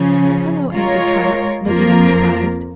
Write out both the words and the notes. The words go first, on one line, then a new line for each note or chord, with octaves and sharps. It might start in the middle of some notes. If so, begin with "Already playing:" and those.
"Hello," answered Trot, looking up surprised.
Already playing: C#3 F3 C#4
G#3 F4 A#4 C#5
F2 F3 A#3 F4 A#4